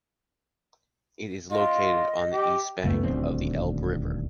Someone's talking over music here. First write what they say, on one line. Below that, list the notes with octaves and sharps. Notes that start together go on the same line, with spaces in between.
It is located on the east bank of the Elbe River.
F4 D#5
G4
C#2 F#2 A3 B3
D#1 D2 C4